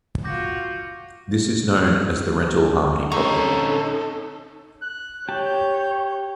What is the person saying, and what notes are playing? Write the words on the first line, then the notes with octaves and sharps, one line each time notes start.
This is known as the Rental Harmony problem.
F4 F#4 D6 G6 A#6
D3 C4 C#4 D#4 A4 A#5 C#6
F#6
G4 C#5 A5 G6